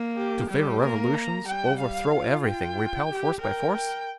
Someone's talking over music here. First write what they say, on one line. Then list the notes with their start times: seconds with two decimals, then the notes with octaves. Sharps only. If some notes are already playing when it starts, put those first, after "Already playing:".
To favor revolutions, overthrow everything, repel force by force?...
Already playing: A#3
0.17 G4
0.49 G3 G4
0.82 A#3 A#4
1.14 A#5
1.47 G3 G5
1.79 F5
2.12 F4
2.44 G5
3.09 G4
3.41 A#4 G5
3.75 G5